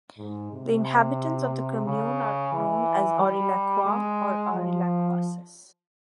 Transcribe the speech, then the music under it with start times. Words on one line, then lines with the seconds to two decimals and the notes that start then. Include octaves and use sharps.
The inhabitants of the commune are known as "Aurillacois" or "Aurillacoises".
0.18 G#2
0.52 C3
1.86 C#3
2.53 E3
3.20 G3
3.86 G#3
4.53 F3